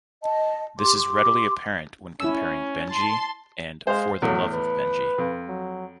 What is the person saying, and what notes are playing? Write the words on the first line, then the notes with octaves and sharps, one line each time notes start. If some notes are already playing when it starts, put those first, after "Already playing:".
This is readily apparent when comparing "Benji" and "For the Love of Benji".
D#5 A5
G4 C6 D6
C#4 E4 E6
A5 C6
G#3 C5 F5
E2 A2 F#3
B4
F2
F#3